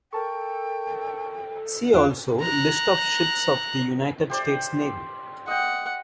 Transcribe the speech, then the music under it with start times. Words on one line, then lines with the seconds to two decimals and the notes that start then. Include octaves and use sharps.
See also List of ships of the United States Navy.
0.13 A4 A#4 G5 A5 C#6
1.94 E2 F4 F5 F#6 D7
2.41 A#5 F#6
4.30 G4 C5 D5
5.48 D#5 F#5 G5